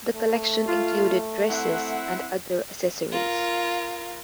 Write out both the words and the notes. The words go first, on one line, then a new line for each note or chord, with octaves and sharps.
The collection included dresses and other accessories.
A3
F4
C4 E4 F#5
F4 A#4